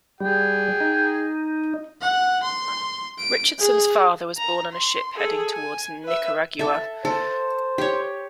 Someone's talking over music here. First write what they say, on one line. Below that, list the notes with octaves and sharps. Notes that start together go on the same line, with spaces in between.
Richardson's father was born on a ship heading towards Nicaragua.
G3 G#4 G5
D#4
F#5
C6
D7
G#4
A#5
C6
G#4 A4
G#5
B4 E5
A4 E5
A4 C5
G4 C#5